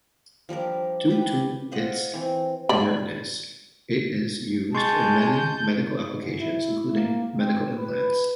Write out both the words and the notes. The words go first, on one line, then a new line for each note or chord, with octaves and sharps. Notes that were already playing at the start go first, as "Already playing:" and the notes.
Due to its inertness, it is used in many medical applications including medical implants.
F3 G3 D4 A#4
G4 B4
F4 C5 D#5 F#5
E3 C4
D5 B5
G#3 A5 C6 C#6 G6 A6
G#2
E4
A#3
C4
B4